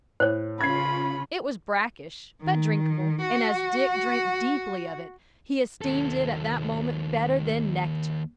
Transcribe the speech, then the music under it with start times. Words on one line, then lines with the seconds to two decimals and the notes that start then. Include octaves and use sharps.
It was brackish, but drinkable, and as Dick drank deeply of it he esteemed it at that moment better than nectar.
0.20 A2 C5 C#5
0.61 C#3 C#4 F4 B5 G#6 C7
2.41 D#3
3.21 F#4
5.81 D#2 A4